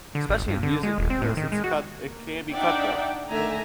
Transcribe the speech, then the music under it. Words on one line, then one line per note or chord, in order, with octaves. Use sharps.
Especially in music because it's cut it can be cutthroat.
D3
G#1
G2
D3
G#3
D#1
C4
A2
D#3
G#3
F#4
A#3
D4 D#4 D5 E5 F#5 G5
D3 D#3 A3 E5 G#5 A#5